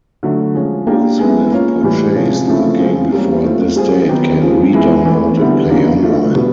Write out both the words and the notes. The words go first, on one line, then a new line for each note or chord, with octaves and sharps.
Those who have purchased the game before this date can re-download and play online.
D3 F#3 A3
F3 G#3 C#4
A#3 D4 G4
G#3 B3 E4
A#3 C#4 F4
A2 E3 G3
C3 F3 G#3 C#4
C#3 F3 A3 C4 E4
C#3 F3 G#3 C4
G3 A#3 C#4
A3 C4 F4
G3 C4 F4 G#4 C5
D#3 F#3 B3 D#4 G4
C#3 F3 G#3 C4 F4
E3 G#3 B3 E4
E3 A3 C4
D3 G3 B3 E4
C#3 F#3 A#3 D4
F#3 A3 D4 F4
B2 G3 B3